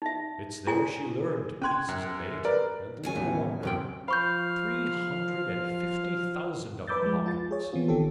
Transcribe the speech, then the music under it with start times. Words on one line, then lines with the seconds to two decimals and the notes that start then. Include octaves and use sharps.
It's there she learned 'Pieces of eight,' and little wonder; three hundred and fifty thousand of 'em, Hawkins!
0.02 D#4 E5
0.67 E4 G#4 G#5
1.62 C#4 G5 C6 F#6 G#6
1.88 F#2
2.45 A#4 B4 D5
3.03 D#2 C#3 G#5
3.15 E2 A2
3.63 F#2 C3 G5
4.08 F3 C5 F5 B5 C#6 G6
6.87 B4 B5 D6 E6 G6 A6
7.03 F3 G#3
7.26 F4 A6
7.51 G#4 C#5
7.73 E3 B3 C4 F4
7.88 A1 D#3 C4 G4 A4